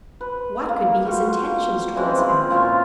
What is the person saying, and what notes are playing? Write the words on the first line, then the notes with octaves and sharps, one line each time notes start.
What could be his intentions towards him?
B4
A#3
G3 F4 F#4
E3 G#3 C4 C#4
E4 F4
A#2 F4 C#5 E5